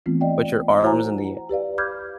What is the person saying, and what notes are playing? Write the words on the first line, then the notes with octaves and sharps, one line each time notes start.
with your arms in the ai
E3 A3 B3 C4 F4
D5 D#5 F5 G5
E4 F#4 C5 F#5 G#5 A#5
G4 B4 D5 F5
B5 D6 F6 G6 G#6